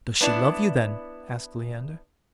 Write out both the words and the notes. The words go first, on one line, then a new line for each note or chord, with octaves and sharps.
"Does she love you then?" asked Leander.
B3 D4 E4 D5